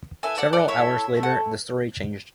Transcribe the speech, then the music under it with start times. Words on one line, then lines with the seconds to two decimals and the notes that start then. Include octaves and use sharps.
Several hours later the story changed.
0.23 B3 E4 A4 E5 G#5
0.38 D5 F#5
0.53 D5 F#5
0.68 A3 E4 A4 C#5 E5
1.15 A3 E4 A4
1.23 F#5